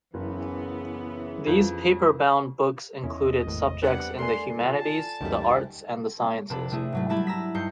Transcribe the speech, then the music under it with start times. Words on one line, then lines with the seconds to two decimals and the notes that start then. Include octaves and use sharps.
These paperbound books included subjects in the humanities, the arts, and the sciences.
0.14 F#1 C#3 E3 B3
1.47 F2
3.03 E2 C#4 E4 D#5
3.47 G#1 A2
3.82 G3 B3 C4 D4 F#5
4.19 A3 A4 A#4 D5 G#5 C6 C7
4.60 F4 A5
5.21 C#2 F#2 D#3 G3 A3
6.50 F1 C3 D4 A4 B5
6.71 C3 A3 E4 G#4
6.92 G#2 F#3 A3
7.09 F#3 G3 E4 A5 B5 G#6
7.27 A#5 E6 B6
7.54 G2 D#4 G6 C7 C#7